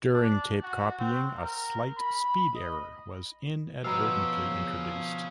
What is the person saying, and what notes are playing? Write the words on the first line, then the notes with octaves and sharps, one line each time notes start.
During tape copying a slight speed error was inadvertently introduced.
D4
F#4
C4
A#4
B5
D#5
B2 F3 B3 F4 C#5 F5 A#5 E6